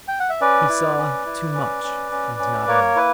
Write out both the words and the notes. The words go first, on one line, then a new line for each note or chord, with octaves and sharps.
He saw too much, and not enough.
G5
F#5
E5
C#4 B4 D5
E4
C#4
E4
C#4
C#4
C#4
C#4
A#3 A#4 C#5
E4 B4